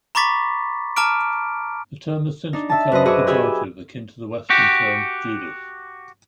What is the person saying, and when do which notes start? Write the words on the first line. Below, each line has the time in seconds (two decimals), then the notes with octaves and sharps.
The term has since become a pejorative akin to the western term "Judas".
0.15 A#5 B5 C#6 D6 A6 B6
0.96 A5 A#5 D6 F6 D7
2.53 D4 D#4
2.70 E5 A5
2.92 F#2 B4 C5 D#5
3.05 F#4 G#4 D#5 F#5 D6 E6
3.27 G4 G#4 G#5 B5 E6 G6
4.50 F#4 G4